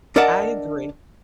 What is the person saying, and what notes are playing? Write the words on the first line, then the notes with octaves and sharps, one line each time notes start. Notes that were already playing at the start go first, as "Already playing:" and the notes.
I agree.
D4 A#4 D#5 E5 F#5 A5